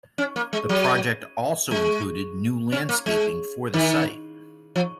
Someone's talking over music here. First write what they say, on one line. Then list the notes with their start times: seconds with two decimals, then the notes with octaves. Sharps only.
The project also included new landscaping for the site.
0.18 C#4
0.36 A#3
0.53 G#3
0.69 F#3
1.71 G#3
2.72 C#4
2.89 A#3
3.06 G#3
3.74 D#3
4.76 F3